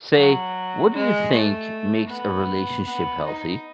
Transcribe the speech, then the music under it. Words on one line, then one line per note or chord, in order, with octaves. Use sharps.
Say, what do you think makes a relationship healthy?
F#3
G#3
A3
B3
B3
D#4